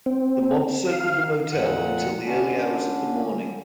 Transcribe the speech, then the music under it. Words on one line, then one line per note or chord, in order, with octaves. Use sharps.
The mob circled the motel until the early hours of the morning.
C4
F5
F2 A#2 F#5
D3 C#4 D4